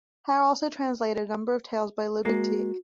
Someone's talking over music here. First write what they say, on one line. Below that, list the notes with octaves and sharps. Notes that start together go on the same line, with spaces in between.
Hare also translated a number of tales by Ludwig Tieck.
G#3 A#3 F#4